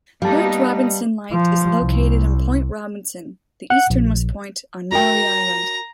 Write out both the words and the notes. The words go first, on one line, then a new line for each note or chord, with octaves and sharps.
Point Robinson Light is located on Point Robinson, the easternmost point on Maury Island.
G3 A#3 B3 D#4 F5 A5
F3
C2
F#5
A#1
F#4 A#4 G5 A#5